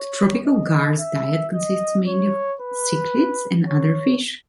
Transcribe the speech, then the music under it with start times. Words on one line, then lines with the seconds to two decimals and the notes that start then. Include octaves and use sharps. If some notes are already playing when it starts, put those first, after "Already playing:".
The tropical gar's diet consists mainly of cichlids and other fish.
Already playing: C#5
0.46 D#5
1.00 E5
1.53 D#5
2.07 C#5
2.61 B4
3.68 C#5